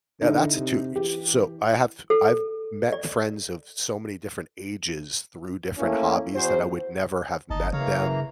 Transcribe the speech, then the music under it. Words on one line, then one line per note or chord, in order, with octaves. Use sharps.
Yeah, that's it, too, s so I have I've met friends of so many different ages through different hobbies that I would never have met them
D3 D#4 E4
C3
E3 G4
A4
D5
A3 A#3 C#4 E4
E2 F#4 G#4 C5
G1 D#4 D#5 A5
C#3 E3 A#3 C#5 F5 A#5